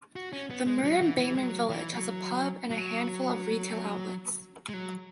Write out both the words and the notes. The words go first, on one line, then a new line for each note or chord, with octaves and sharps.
The Murrumbateman village has a pub and a handful of retail outlets.
F#4
C#4
B3
G#3
F#3
E3
E3
G#3
F#3
E3
F#3
F#3
G#3
F#3